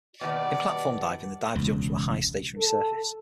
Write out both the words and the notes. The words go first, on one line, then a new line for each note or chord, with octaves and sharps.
In platform diving, the diver jumps from a high stationary surface.
D#2 B2 D5
E1 C#2
A4